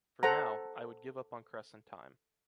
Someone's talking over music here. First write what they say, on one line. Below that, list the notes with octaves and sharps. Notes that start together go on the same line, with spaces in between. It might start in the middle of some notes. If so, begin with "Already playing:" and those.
For now, I would give up on cress and thyme.
A4 C5 F#5 A#5